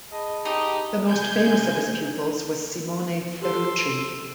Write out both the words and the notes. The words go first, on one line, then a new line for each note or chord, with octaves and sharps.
The most famous of his pupils was Simone Ferrucci.
G#4 D#5 A5 B5
D#4 G4 D#6
C3 G#3 G#5 G6 G#6
G4 A4 C6